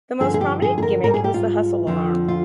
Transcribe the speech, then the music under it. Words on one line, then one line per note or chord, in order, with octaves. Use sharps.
The most prominent gimmick was the Hustle Alarm.
G2 D3 F3 G#4
G#4
G4
G#4
G#4
A#4
G#2 G3 A#4
G#4
G4
F4
F2 D3 F3
F4